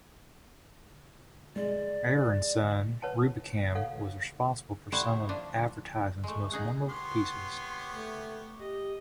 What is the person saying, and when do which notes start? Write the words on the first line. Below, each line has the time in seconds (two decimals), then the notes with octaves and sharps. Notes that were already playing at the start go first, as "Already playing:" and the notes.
Ayer and Son, Rubicam was responsible for some of advertising's most memorable pieces.
1.56 G#3 D5
3.02 B4 C#5 F#5 A5
3.75 A4 C#5 F5 F#5
4.92 G3 A3 E4 C5 F#5
5.29 F3 D4
6.23 G#3 A3
6.52 D#4 G#4 F#5
6.89 B3 G4 C#5 C6
7.94 A3
8.60 G4 D#5